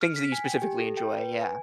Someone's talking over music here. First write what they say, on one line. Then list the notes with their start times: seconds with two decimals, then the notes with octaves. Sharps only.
Things that you specifically enjoy, yeah.
0.01 F6
0.16 B6
0.32 G#5
0.45 G5
0.62 G4
0.79 A4
0.97 G5
1.17 B4
1.41 G#5